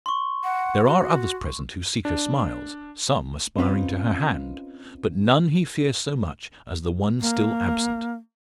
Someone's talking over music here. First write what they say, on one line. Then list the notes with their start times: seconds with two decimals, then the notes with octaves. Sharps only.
There are others present who seek her smiles--some aspiring to her hand--but none he fears so much as the one still absent.
0.06 C6 C#6
0.44 F#5
0.85 F#4
2.05 D4
3.58 C4 C#4 D#4 F4 B4 C5
7.21 A#3